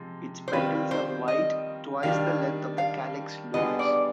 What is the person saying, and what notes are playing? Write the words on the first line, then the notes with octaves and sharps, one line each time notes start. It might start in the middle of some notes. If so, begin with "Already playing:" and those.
Its petals are white, twice the length of the calyx lobes.
Already playing: C3 F3 G#3
C5
D#3 G3 C4 F4 B4
C5
D#5
D#3 G3 D4 F5
F5
D3 G3 B3 D4 G#4 D#5
D5